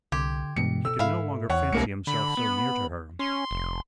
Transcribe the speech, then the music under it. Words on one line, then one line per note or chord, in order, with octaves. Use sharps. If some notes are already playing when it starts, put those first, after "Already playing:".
He could no longer fancy himself so near to her.
C2 D3 G4 C6 G#6
G2 B2 E3 G#3 C#7
A4 E6
G#2 E4 F5
E2 C#5 F#5
F1 C2 G#3 A#3 C#4 G4 C#7
D3 B5
B3
C#4 C6
F1